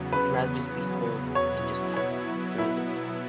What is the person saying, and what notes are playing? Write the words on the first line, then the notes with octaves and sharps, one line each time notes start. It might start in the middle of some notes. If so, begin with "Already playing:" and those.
would you rather just be home and just text 'em through the phone?
Already playing: E2 C#3 F#3 B3
B4
B2 F#3 B3 E4 C#5
C#5
E4